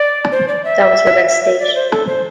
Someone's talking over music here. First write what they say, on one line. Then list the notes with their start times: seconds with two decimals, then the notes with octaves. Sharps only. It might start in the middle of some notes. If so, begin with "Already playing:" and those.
That was her best state.
Already playing: D5
0.32 C5
0.48 D5
0.65 E5
1.28 E5
1.44 E5
1.59 D5
1.75 C5
1.91 A4
2.06 C5